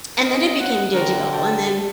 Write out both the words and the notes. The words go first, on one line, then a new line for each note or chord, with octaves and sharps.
and then it became digital and then,
A#4 D#5
F#5
D3 A3 C4 F#4 A#4
G5 A5